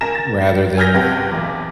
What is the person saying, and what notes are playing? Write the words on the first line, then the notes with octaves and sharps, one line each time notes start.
rather than
C#2 A#4 G#5 A#6 E7
A6
G#5 E6 F6 G6 G#6 A#6
C#2 C3 B4 F#5 G5 A5
B1 E2